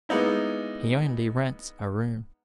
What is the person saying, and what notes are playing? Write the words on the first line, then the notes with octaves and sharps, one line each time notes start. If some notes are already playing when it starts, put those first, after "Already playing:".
He only rents a room.
G#3 A#3 B3 D#4 E4